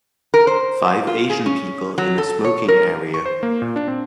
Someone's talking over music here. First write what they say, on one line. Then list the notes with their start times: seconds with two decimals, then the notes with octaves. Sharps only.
Five Asian people in a smoking area.
0.34 A#4
0.47 C5
1.07 F4
1.30 G#4
1.46 C#4
1.98 F#3
2.18 A4
2.45 C#5
2.68 A#4
3.14 C#6
3.26 C5
3.43 A#3
3.62 A#2
3.76 D4
3.88 C4